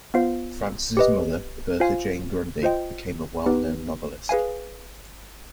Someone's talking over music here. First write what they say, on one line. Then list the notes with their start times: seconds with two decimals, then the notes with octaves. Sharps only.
Francis' mother, Bertha Jane Grundy, became a well-known novelist.
0.14 B3 F4 C5 F5
0.97 G4 B4 D#5
1.80 F4 C5 F5 G#5
2.63 F4 C5 D#5 G5
3.46 B3 D#4 G4 B4
4.29 G#4 B4 F5 G#5